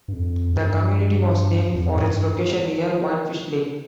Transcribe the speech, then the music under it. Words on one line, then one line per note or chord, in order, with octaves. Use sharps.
The community was named for its location near Whitefish Lake.
G2
F2
G2
F2
A2
G2